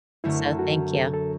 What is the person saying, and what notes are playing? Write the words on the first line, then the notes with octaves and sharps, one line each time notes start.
so thank you.
F#2 D3 A3 E4
F#4
A4
A4